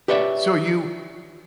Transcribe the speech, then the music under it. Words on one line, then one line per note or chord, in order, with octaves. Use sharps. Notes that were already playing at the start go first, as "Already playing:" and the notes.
So, you,
G4 B4 C#5 D5 E5